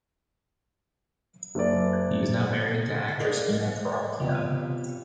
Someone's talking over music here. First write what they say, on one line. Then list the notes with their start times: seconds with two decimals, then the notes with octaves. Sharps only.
He is now married to actress Inna Korobkina.
1.55 F#1 A#4 D5
3.20 G#4 A#4 D5 D#5 F5
3.53 D#5
4.21 C3 B3 F4 G4